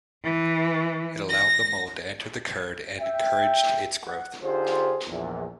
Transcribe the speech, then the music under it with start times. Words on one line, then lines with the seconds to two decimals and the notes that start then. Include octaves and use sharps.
It allowed the mold to enter the curd and encouraged its growth.
0.23 E3
1.28 A#6
3.00 E5 G5
4.03 F#5
4.43 D3 D#4 F4 G4 G#4 C5
5.08 A#1 E2